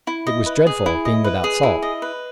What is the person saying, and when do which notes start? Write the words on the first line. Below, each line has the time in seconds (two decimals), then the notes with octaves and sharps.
It was dreadful, being without salt.
0.07 E4
0.27 D#5
0.46 B4
0.67 G#4
0.86 E4
1.05 D#5
1.24 B4
1.44 G#4
1.63 E4
1.82 D#5
2.02 B4